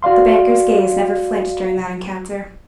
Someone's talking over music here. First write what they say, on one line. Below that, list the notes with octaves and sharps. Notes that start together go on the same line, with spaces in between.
The banker's gaze never flinched during that encounter.
F#4 D5 F5 C6